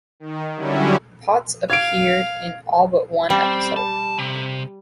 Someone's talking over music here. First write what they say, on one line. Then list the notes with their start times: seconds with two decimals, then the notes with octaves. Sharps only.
Potts appeared in all but one episode.
0.20 D#3
0.56 D3 F#3 G3 C#4 E4
1.70 F5 G#6 D7
3.30 G3 C4
3.77 A5
4.18 C3